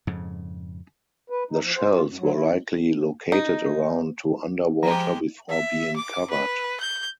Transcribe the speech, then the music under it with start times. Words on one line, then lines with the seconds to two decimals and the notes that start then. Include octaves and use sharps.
The shells were likely located around to underwater before being covered.
0.07 F2 G#2 C#3
1.30 B4
1.51 D#4
1.63 F3
1.76 C5
1.91 F4
2.05 F#2
2.18 F#3
2.33 E4
3.32 D#4
4.83 F3 G#3 G4 A#5
5.49 E5
5.96 D6
6.30 B4
6.80 G6